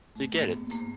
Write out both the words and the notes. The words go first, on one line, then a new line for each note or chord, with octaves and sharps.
Do you get it?
G#2 A3
A#3
G#2
B3
G#2
A#3